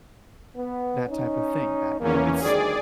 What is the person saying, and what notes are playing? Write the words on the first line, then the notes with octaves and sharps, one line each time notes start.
that type of thing, that, you know, it's
B3
C#4 D#4
E2 A#3 C#4
D2 D#3 G3 G#4 D5